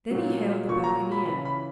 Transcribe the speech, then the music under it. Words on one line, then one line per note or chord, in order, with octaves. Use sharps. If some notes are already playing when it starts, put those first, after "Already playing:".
Then he hailed the buccaneer.
A#2 F#3
A#2 F#3 C#6
A#5
B5
C#3 E3 B5
B5